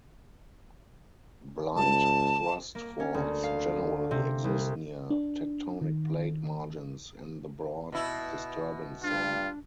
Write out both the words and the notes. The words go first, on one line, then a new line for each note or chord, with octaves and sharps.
Blind thrust faults generally exist near tectonic plate margins, in the broad disturbance zone.
C#2 A5
A#3
C#4
D2
F5
C3
C2
D4
D#3
B2 E4
G2 D4 F4